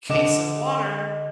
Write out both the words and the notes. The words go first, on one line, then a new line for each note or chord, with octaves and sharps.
case of water
D3 D#5 D6 E7